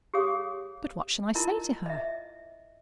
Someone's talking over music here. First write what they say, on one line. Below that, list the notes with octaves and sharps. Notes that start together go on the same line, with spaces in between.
"But what shall I say to her?"
G4 G#4 C#5 F5 D#6
E4 F4 A#4 D#5 A5
D#5 E5